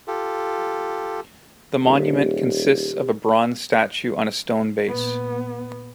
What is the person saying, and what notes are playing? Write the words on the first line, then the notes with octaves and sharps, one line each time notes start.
The monument consists of a bronze statue on a stone base.
F4 G4 A4
D#1 G4
A#2 B3